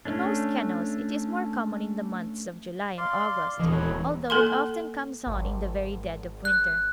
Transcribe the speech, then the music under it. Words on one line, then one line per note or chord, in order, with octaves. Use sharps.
In most kennels it is more common in the months of July and August, although it often comes on in the very dead of winter.
A3 C#4 D4
D5 F5 C6
D#1 E3 D#5
F#3 B4 C#5
A#3 A4 G#5 C6
G#1
F#6